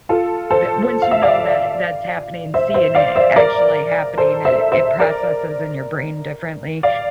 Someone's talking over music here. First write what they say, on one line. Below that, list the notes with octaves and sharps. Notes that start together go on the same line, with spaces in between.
the once you know that that's happening, seeing it actually happening, it it processes in your brain differently.
F4 A4
A4 C5
F5
E5
D5 F5
C5 E5
C5 E5
D5 F5
C5 E5
A#4 D5
A4 C5
C5 E5
C5 E5
A#4 D5
D5 F5